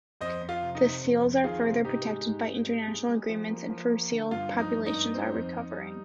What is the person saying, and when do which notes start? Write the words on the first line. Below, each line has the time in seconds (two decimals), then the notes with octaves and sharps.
The seals are further protected by international agreements, and fur seal populations are recovering.
0.21 F2 C5 D#5
0.41 F2
0.49 F4
0.62 C3
0.75 D#4
0.82 C3
1.03 F2
1.23 F2
1.44 D#3 F4 G#4
1.64 C3
1.84 G#2 D#4 G4
2.05 G#3
2.26 G#2
2.47 G#2
2.67 G#3
2.88 G#3
3.09 G#3
3.29 F3
3.50 A#3
3.70 F3
3.90 A#3
4.11 D3
4.31 G2 F4
4.52 F3
4.59 D#4
4.73 G2
4.86 D#4
4.93 G2
5.14 C4
5.34 F2
5.55 F2
5.75 G3